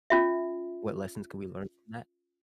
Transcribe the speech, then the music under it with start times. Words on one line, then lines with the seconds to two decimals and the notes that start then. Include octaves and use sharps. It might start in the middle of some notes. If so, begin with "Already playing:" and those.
what lessons could we learn from that?
0.10 C#4 F4 E5